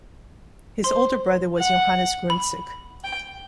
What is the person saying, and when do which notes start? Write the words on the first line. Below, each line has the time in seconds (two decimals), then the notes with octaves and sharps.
His older brother was Johannes Gruentzig.
0.84 C5 C6
1.58 F#5
2.30 B5
3.04 G5